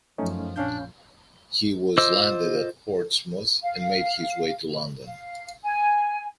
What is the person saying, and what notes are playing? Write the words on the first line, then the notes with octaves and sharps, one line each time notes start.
He was landed at Portsmouth and made his way to London.
F#2 F3 A3 C#4 D#4
A#1 C#4 D4 F5 G6
F4 C5 D#5 D6 E6
F5
F5
G#5